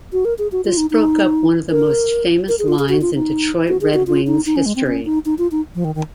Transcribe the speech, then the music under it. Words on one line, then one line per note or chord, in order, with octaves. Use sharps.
This broke up one of the most famous lines in Detroit Red Wings history.
F#4
A#4
G#4
F#4
F4
D#4
D#4
A#4
A#4
G#4
F4
G#4
F#4
F4
D#4
F#4
G#4
F#4
F4
D#4
D#4
C#4
G#3
C4
C#4
D#4
D#4
F4
D#4
F3
D#3
D#3